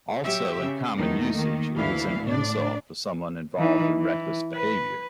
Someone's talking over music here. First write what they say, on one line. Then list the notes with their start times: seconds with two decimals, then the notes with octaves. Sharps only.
Also in common usage it is an insult for someone involved in reckless behavior.
0.23 F#3 G4 E5
0.61 C#3
0.96 E2 D#3 A3 B3 D#4
1.34 D#3 A#3
1.75 D2 E3 E4 F5
2.26 A2 D4 D5
3.59 E3 D#4
3.97 E3
4.54 B4